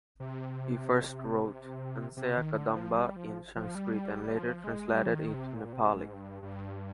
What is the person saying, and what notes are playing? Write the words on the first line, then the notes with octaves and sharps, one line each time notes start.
He first wrote "Hansyakadamba" in Sanskrit and later translated it to Nepali.
C3
C3
D#3
D3
F3
G3
F3
F3
G3
F3
G#3
G3
F3
D#3
C3
A#2
C3
G#2
G2
G2